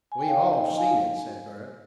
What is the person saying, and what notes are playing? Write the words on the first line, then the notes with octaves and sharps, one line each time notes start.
"We've all seen it," said Bert.
G#5
G5
D#4 C#5 F5
D#4 D#5 G5
D#4 F5 G#5